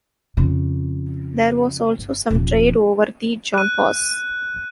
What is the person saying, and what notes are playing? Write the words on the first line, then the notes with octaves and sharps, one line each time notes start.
There was also some trade over the Jaun Pass.
F2 C#3
G1
D#1 F3
F#6 D#7